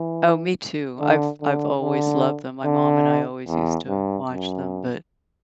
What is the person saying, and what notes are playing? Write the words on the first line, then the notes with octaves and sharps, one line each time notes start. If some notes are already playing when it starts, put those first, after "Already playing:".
Oh, me too. I've I've always loved them, my mom and I always used to watch them, but
Already playing: E3
D3
D3
D3
D3
E2
G2
F#2